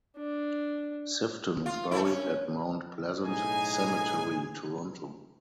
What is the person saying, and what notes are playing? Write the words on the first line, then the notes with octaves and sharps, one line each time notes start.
Sifton is buried at Mount Pleasant Cemetery, Toronto.
D4
F4
A3 A#3 E4
C#4
B1 A2 D#4 G#4 G#5